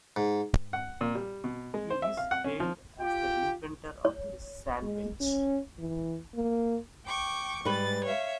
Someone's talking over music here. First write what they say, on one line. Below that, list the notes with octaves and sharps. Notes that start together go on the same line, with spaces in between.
He is hailed as the inventor of the sand wedge.
G#2
F#5
A#2
G3
B2
G#3
C5
E5
F5
F#5
C#4
F3
F4 G4 G5
C#5
G#3
C#4
E3
A#3
G5 C#6 D6
G#2 G3 B4 A6
C#5 E5 F5